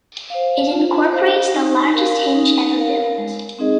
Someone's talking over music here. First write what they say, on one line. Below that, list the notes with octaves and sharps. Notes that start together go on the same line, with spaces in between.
It incorporates the largest hinge ever built.
C5 F5
F4
C5 F5
D#4
A#4 F5
D#4
A#4 F5
G#3
C4 D#4 G#4 D#5